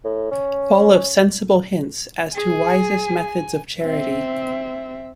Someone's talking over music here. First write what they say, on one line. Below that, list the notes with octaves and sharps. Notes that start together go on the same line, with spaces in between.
Full of sensible hints as to wisest methods of charity.
A2
C#4
G#4 G#5
C4 E5